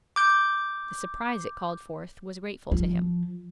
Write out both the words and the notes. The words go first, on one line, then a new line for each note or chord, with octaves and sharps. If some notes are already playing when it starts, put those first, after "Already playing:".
The surprise it called forth was grateful to him.
D6 G6
F3